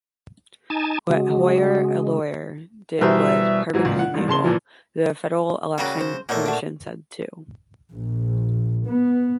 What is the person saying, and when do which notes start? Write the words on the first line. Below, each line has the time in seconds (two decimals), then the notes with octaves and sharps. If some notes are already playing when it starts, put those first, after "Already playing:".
What Hoyer, a lawyer, did was perfectly legal, the Federal Election Commission said, too.
0.70 D#4 G#5 A5
1.09 C#3 G#3 F#4
3.01 B2 E3 G3 A#4 C5 E5
3.73 G#2 E3 F#3
3.85 C#2 A#2
3.99 F#5
4.14 A1 G2
4.28 C#3 A5 C6 G7
4.44 A#2 E3 F3
5.78 C#3 F#3 G3 A#3 F#4
6.00 C5
6.29 A#2 F#3 A3 D#4 E5
6.46 D4 F#4
7.92 A#1
8.87 B3